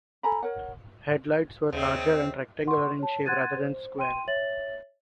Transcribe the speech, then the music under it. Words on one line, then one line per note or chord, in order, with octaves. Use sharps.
Headlights were larger and rectangular in shape, rather than square.
A4 G#5 A#5 B5
A#4 C#5 F#5
D#2 C#3 C4 C5 D#5 E5
F#5 C6 C#6
C#5 A5
F#5 C6 F#6 G#6 A6 D#7
C5
G5 C6 D#7
C#5 E5 A6 F#7